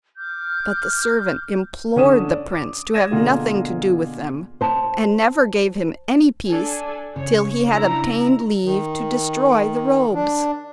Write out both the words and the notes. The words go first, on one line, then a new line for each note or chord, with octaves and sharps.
But the servant implored the prince to have nothing to do with them, and never gave him any peace till he had obtained leave to destroy the robes.
D6 F6 G6
D3 C#4 D4 D#6 D#7 E7
D5
D6
D5 G#6 A#6 D#7 E7
B2 D3 A#3 F4 G#4
C5 A5
D4 A4 G#5
C#3 C#5
D4 E4 A#5
D#3
D4